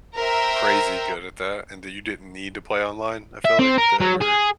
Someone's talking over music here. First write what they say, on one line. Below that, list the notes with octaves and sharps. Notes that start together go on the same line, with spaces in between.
crazy good at that and that you didn't need to play online, I feel like, to ever
A#4 C5 E5 G5
E5
C4
A#4
F#3
G#4